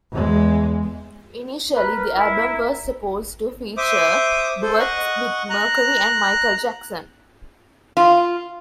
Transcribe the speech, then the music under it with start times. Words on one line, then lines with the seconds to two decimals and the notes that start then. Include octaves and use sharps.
Initially, the album was supposed to feature duets with Mercury and Michael Jackson.
0.12 E2 G#3
1.73 A#4 B4
2.15 E4
3.77 C5 E5 D6 D#6
4.62 A4 C5
4.79 D#5 F#5 C#6
5.50 A#5 F#6
7.97 F4